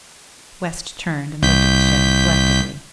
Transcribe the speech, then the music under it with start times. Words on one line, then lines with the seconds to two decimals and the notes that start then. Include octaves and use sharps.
West turned and looked at the shed reflectively.
1.43 C2 G6 B6